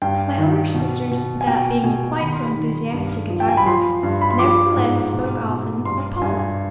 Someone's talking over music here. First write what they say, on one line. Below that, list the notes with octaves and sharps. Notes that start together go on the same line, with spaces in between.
My older sisters without being quite so enthusiastic as I was, nevertheless spoke often of Paula.
G2 G5
D#3
B2
B2
G#5
B2 G5
B2 G#5
D#3 B5
C6
B5
D#3
G2
F3
G5
G#5
B5
F3 C6
G2
B5
C6
F3 D6
G#2
B2
B2
G2 C6
G2 G#5